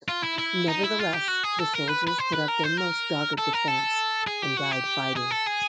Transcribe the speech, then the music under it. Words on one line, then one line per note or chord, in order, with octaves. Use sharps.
Nevertheless, the soldiers put up their most dogged defense, and died fighting.
F4
E4
E4
D#4
E4
F4
G4
F#4
G#4
A4
A#4
B4
B4
C5
B4
A#4
C5
A#4
A4
A#4
A4
G#4
G4
F#4
G4
G#4
A4
G#4